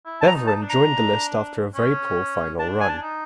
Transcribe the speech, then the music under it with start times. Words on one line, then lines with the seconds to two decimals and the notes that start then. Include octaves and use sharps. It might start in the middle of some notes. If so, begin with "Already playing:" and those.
Beveren joined the list after a very poor final run.
0.05 E4
0.21 A5
0.27 A#5
0.34 D#4
0.47 A5
0.62 D4
0.69 A#5
1.75 C#4
2.59 D4 A5
2.80 G#5
2.88 A5
3.02 D#4